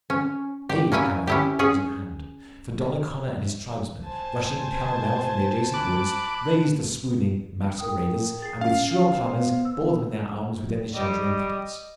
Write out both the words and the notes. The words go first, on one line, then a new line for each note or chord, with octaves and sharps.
Aid, however, was at hand; for Donnacona and his tribesmen, rushing pell-mell from the adjacent woods, raised the swooning masqueraders, and, with shrill clamors, bore them in their arms within the sheltering thickets.
C#4
G4
A#3 C#4 E4 G#5
C#4 E4 G4
C#4 G#4
C5 G#5 A5
B5 D6 F#6
A#4 G5 D#6
G#4 A6 C7
C#4 F5
B3 C5 C6
E6
G3 D#5